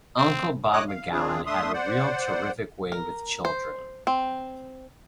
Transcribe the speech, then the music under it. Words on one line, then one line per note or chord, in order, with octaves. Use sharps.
'Uncle' Bob McGowan had a real terrific way with children.
C4
D2 C#5 D#5 D6 D#6 F#6
F5
C4 D4 F4 G#4
A3 D4 E5 C6 D#6
C5 D5 F#5
A#4
C5
C4